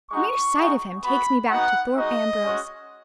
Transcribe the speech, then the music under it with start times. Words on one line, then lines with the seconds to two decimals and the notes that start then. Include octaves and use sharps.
The mere sight of him takes me back to Thorpe Ambrose.
0.09 G#3 D#4 F#4 C#6
0.57 G#3 D#4 F#4
1.03 B3 F#4 B5
1.49 B3 D#4 F#4 F#5
1.96 G#3 D#4 F#4 D#5
2.42 G#3 C#4 F#4